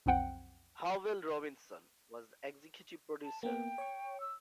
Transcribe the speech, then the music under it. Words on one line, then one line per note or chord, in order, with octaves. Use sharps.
Hubbell Robinson was the executive producer.
B1 F2 C4 F#5 G5
A5
A#3 B3 G5
C#5 C#6
E6